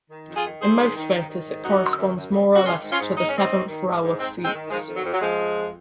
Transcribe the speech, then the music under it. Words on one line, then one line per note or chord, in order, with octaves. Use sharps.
In most theaters it corresponds more or less to the seventh row of seats.
D#3
F2
F4 G#4
D#3
G#2 G#4 C5
D#3
D#3
D#3
D#3
G#2
F#2 D#4 F#4
F#2
F#2
F#2
C#3
C#3
F#4
D#3 F4 G#4
G#2
C#4 F4
G#2
G#2 D#4
C#4
D#3 C4 D#4
D#3
D#3
G#2
G#2
G#2 G#3 C4
G#2
G#3 C4
D#3
D#3 F3 G#3
F2
F#3
F2
F#3
F2 F3 G#3
F2
F2